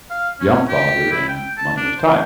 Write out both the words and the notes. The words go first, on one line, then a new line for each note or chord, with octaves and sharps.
young father and money was tight.
F5
C#4
G4
E4
G5
A5
D4
C5